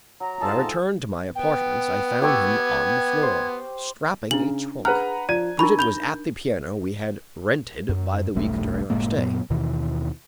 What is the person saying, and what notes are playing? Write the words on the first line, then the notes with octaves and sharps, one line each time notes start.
When I returned to my apartments, I found him on the floor, strapping a trunk. Brigitte was at the piano we had rented by the week during our stay.
F#3 A#5
G#2 F4 G#4 A4 E5 A5
B3 G5
G4 C#6 E6 G#6
C5
C#3 D4 E4 F#7
G#4 B4 F#5 A#5 F6 F#6
F3 D5 A#5 G#6 D#7
D4 D#4 A#4 A#5 B5 C#6
B5 G6 F7 G7
F#2
E1 B1 G2 A3
F#1 A2 G#3 A#3
F#2 A#2 F#3 B3
D#2 B2 D#3 E3